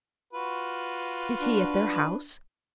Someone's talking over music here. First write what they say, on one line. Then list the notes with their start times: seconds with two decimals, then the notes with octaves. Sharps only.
"Is he at their house?"
0.33 F4 F#4 B4
1.40 D4